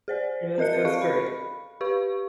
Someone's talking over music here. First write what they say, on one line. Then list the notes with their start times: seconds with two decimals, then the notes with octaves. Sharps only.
It was it was great.
0.08 G#4 C5 D5
0.58 C4 A#4 D#5 F#6 C#7
0.85 G#4 A4 D#5 F5 C#6
1.02 B5
1.81 G4 B4 F5 C#6